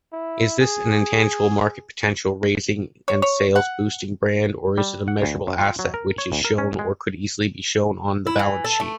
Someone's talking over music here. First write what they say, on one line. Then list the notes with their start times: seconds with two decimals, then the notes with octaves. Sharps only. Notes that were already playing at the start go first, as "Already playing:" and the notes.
Is this an intangible market potential raising and sales boosting brand or is it a measurable asset, which is shown or could easily be shown on the balance sheet?
0.13 E4
0.60 G#4
3.08 C#5
3.22 C#5
3.56 F#5
4.78 G3
5.08 F#5
5.22 D2
5.47 F#2
5.59 F4
5.79 F#3
5.94 A#4
6.18 C#5
6.32 D2
6.44 A#4
6.58 C#4
6.79 G#3
8.27 E4
8.39 E3
8.65 A4
8.80 A3